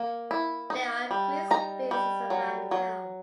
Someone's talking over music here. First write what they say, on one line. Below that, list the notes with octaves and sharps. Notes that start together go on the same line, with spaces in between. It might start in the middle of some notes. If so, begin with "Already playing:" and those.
There are green spaces around the town.
Already playing: A#3
E4
D#4
G3
D#4 A#5
G3
F#3
F#3